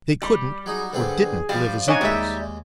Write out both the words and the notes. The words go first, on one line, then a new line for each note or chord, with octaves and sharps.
They couldn't or didn't live as equals.
G3
F#3 D#4 G#4
D3 C4 G#4 B4
F3 G3 F5
D4 D#4 C#5 D#5 G#5
D#2 G3 G#3 E5